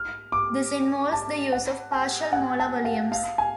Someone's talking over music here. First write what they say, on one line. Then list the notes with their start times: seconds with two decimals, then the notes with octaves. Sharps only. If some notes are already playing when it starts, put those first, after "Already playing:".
This involves the use of partial molar volumes.
Already playing: F6
0.32 D6
1.12 A5
1.52 F#5
1.92 G#5
2.33 F#5
2.59 A5
2.85 F5
3.12 F5
3.38 G#5